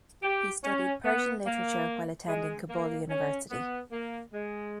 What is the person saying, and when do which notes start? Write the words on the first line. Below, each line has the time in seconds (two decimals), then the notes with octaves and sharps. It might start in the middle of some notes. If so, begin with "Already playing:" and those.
He studied Persian literature while attending Kabul University.
0.22 G4
0.63 C#4
1.04 B3
1.45 A#3
2.27 G#3
2.69 A#3
3.09 C#4
3.50 B3
3.91 A#3
4.32 G#3